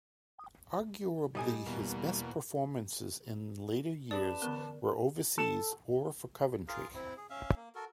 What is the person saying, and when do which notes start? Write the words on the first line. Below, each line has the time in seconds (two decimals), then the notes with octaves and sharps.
Arguably his best performances in later years were overseas or for Coventry.
1.35 A2 G3 D#4 G4 D#5 G#5
1.66 E2 B2 A#3
4.11 C#4 G4 G#4 B4 D5 A5 D6
4.42 D3 E3 B3 A#4
5.38 A4
6.68 F4 G#4 A#4 F5
6.94 C4 E4
7.17 G#4
7.30 C#4 E5 F5
7.56 A#3
7.75 F#4 A4 A#4